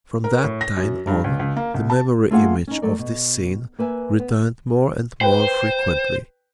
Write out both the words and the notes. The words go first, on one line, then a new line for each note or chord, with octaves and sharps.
From that time on, the memory image of this scene returned more and more frequently.
A#4
A2
A#6
F#2
G2
C#2
C#2
A#3
C2
A5
A3 A#3 F4 G#4 F5 F#5
C#4 D#4
F#3 A3 A4 A#4 D5
B2
A#3 B4 E5 G#5
B3
B4 C5 G5